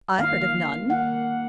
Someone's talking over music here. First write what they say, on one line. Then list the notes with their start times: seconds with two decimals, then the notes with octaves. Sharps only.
"I heard of none."
0.19 D#3 G3 A#3 F5
0.89 D#3 G3 A#3 F#5